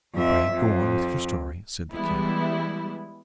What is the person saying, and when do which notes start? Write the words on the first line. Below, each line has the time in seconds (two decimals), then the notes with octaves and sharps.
"Pray go on with your story," said the King.
0.15 F2 E5
0.52 F2
1.93 E3 G3 G#3 B3 E4